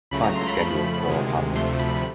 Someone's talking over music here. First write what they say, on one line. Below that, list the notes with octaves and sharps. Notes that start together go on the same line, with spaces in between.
Find the schedule for Heart Beats.
C#2 C#3 F#3 A3 B5
A#5
C6
B5
F2 C#3 F3 A3
D2 C3 D#3 G#3
D2 C3 F3 A3 C6
B5
B5